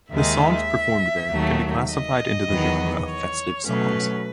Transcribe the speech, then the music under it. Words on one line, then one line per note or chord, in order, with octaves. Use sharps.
The songs performed there can be classified into the genre of festive songs.
D#2 D#3 G#3 E5
D#2 D#3 F#3 A3
D#5
E2 D#3 F#3 B3
C#5
B2 F#3 A3 C#4 B4